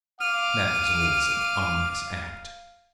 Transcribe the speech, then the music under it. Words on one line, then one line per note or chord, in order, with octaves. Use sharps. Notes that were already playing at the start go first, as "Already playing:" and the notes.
That was always an ominous act.
F5 D6 F6 D#7